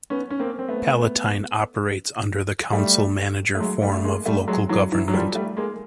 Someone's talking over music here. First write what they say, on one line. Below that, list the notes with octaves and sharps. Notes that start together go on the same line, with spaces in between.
Palatine operates under the Council-manager form of local government.
B3 C#4
C#4
A#3 C4
C4
A3 B3
G3 A3
A3
F#3 G#3
G3 A3
A3
G#3 A#3
G3 A3
F#3 G#3
E3 F#3
E3 F#3
F#3
F3 G3
G3 A3
G#3 A#3